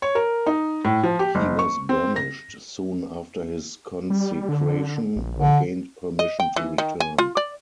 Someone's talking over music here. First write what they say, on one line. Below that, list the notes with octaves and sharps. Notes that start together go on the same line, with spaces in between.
He was banished soon after his consecration, but gained permission to return.
C#5
A#4
D#4
A2
F3
G4
F#1
C#6
C4
A#6
G3
D3
A#1
D3
D#5
G5
E3
D#3
G#5
F4
D5